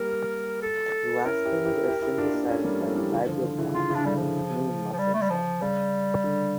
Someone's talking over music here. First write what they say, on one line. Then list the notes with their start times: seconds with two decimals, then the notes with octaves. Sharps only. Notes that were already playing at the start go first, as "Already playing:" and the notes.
Elastins are synthesized by fibroblasts and smooth muscle cells.
Already playing: G3 A#3 A#4
0.62 A4
1.24 C#4 E4 A#4
1.45 E4 G4
1.66 E4 G4
1.87 E4 G4
2.02 E4 G4
2.17 D4 F4
2.33 A#3 D4
2.49 A3 C#4
2.64 G3 A#3
2.81 F3 A3
2.96 E3 G3
3.12 C#3 E3
3.27 D3 F3
3.43 D3 F3
3.59 C#3 E3
3.74 C#3 E3 F4
3.90 C#3 E3
3.95 D4
4.05 D3 G3
4.16 C#3 F3
4.93 F3
4.98 G3
5.14 A3
5.22 G3
5.30 F3
5.61 C#3 G3
6.24 D3